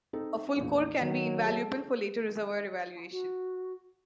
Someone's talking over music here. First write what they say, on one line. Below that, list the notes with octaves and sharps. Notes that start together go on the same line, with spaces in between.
A full core can be invaluable for later reservoir evaluation.
C4 D#4 A4
A#1 E2
D#3 F#3
G#4 A4 A5
F#4